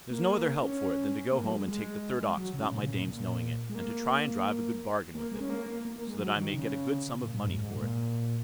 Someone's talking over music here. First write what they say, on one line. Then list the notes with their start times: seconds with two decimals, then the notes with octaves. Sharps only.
'There's no other help for it than to go home and take the third ox without my dame's knowing it, and to try and drive a good bargain with it, so that I may get a good sum of money for it.'
0.10 A#3
0.63 C#4
1.32 A#3
1.44 F#3
1.55 G#3
1.67 G#3
2.37 F#3
2.54 C#3
2.72 A#2
2.82 C#3
2.95 A#2
3.06 A#2
3.70 G#3
3.75 A#3
5.15 A#3
5.32 G#3
5.40 C#4
5.50 A#3
5.66 A#3
5.85 A#3
5.96 A#3
6.07 G#3
6.19 F#3
6.36 D#3
6.54 C#3
7.23 A#2
7.35 G#2
7.47 F#2
7.58 G#2
7.75 A#2